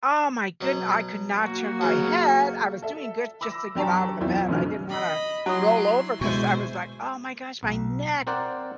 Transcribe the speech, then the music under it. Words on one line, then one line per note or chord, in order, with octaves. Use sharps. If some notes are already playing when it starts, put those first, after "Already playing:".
Oh my goodn I could not turn my head. I was doing good just to get out of the bed, I didn't wanna roll over 'cause I was like, "Oh my gosh, my neck."
B2 F#3
A#3 F#4
C#2 C#3 F#3
A4 E5
B5 D6 E6 A#6
F#2 D4 G4 A5 A#5 C#6
B1 E2 C4 E4 F4
A1 F#2 D3 F#3 F6
D#5 B5
F#3 E4 C6 D#6
B2 G#3 E4 C5 G#5 C#6
B1
C4 A#4 C5 D5 F#5